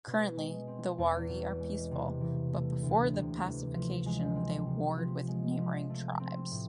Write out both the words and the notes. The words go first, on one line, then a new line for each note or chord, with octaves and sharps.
Currently, the Wari' are peaceful, but before the pacification they warred with neighboring tribes.
B2
G#3
C4
E2
B2
G#3
C3
E3
A3
D2
C3
E3
F3
G#3
C4
C3
F3
G#3
F3
A3
C4
A2